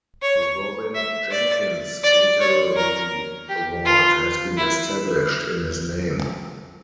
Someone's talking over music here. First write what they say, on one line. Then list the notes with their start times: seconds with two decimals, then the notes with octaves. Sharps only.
The Robin Jenkins Literary Award has been established in his name.
0.22 C#5
0.95 E5
1.31 D5
2.04 D5
2.40 C#5
2.76 A#4
3.48 G4
3.85 F4
4.57 E4